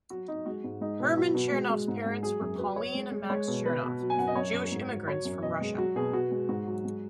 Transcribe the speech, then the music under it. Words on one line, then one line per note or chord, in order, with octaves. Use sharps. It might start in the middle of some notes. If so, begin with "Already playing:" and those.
Herman Chernoff's parents were Pauline and Max Chernoff, Jewish immigrants from Russia.
F#3 F#4
F#3 D#4
G#3 F#4
G#2
G#3 D#4
B2
F#3 F#4
B2
G#3
G#3
G#2
G#3
F#3 G#4
F#2
F#3 B4
F#3 C#5
G#3
G#3
G#3 C#5
B2
B2 B4
B2
F#3
G#5
F#2 F#5
D#5
F#2 C#5
F#2
G#2
F#3
F#3 C#5
F#2
B2 D#5
G#3
F#3 F#4
B2 G#4
B2 F#4
G#3
G#2 F#4
F#3
G#3